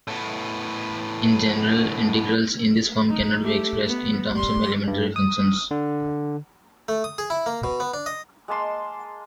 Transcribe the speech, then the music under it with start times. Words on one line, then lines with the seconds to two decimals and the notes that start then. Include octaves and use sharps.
In general, integrals in this form cannot be expressed in terms of elementary functions.
0.08 A2 B3
3.10 D#4
3.43 A3 G4
3.87 B3
4.33 G3 C6
4.87 G2
5.16 D#6
5.71 D3
6.88 A3
7.04 D#6
7.18 G#4
7.30 E4
7.46 A#3
7.64 B2
7.80 B3
7.94 D4
8.06 D#5
8.48 G#3 A#3 A5 C6